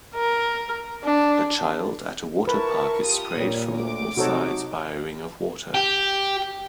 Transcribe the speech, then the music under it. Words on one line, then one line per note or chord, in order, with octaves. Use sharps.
A child at a water park is sprayed from all sides by a ring of water.
A#4
D4
E4 A#4 B4 A5 C#6
F4 G4 D#6
A#2 G3 A#4 C#5
D2 D6
C3 F#3 D#4 F#4 A4 C#5
G4